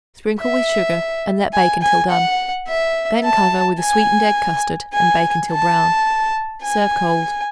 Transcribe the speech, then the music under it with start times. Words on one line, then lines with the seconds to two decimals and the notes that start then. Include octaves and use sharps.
Sprinkle with sugar and let bake until done. Then cover with a sweetened egg custard and bake until brown. Serve cold.
0.40 E5
1.54 G#5
1.82 G#5
2.11 F#5
2.68 E5
3.23 A5
3.80 G#5
4.93 G#5
5.51 A5
6.63 G#5